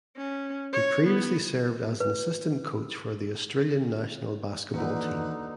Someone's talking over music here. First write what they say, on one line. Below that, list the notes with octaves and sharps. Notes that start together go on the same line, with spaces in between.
He previously served as an assistant coach for the Australian national basketball team.
C#4
C#5
B3
B4
D#2 D3 E3 A#3 D#4 F#4 B4 F#5